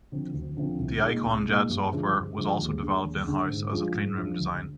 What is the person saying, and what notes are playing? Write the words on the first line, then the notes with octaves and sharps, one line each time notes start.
The Eiconjet software was also developed in-house as a Clean Room design.
D3 F3 C4
D2
D3 F3 C4
C2
A#2 G#3 D#4
C2
A#2 G#3 D#4
G2
D3 F3 G#3 D4
G2
D3 F3 G#3 D4
D#2
D3 G#3 D4
D#2
D3 G#3 D4
G#2
F3 G#3 D4 F4
G#2
F3 G#3 D4 F4
D2